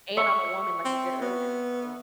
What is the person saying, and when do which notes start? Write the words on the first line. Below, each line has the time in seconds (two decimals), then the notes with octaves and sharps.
And I'm a woman, like you said earlier, so
0.17 E5 C#6
0.85 C4
1.22 B3